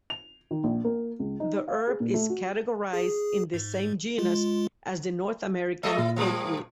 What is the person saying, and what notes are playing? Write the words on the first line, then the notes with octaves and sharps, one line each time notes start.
The herb is categorized in the same genus as the North American pokeweed.
F7
D#3
A#1
A#3
C#2
D#4
F5
G#4
A#2
A3
F#4
G#4
G#2
G#3 F4
G#3 A3 A4 D#5
A#2 E4
F3 G3 A#3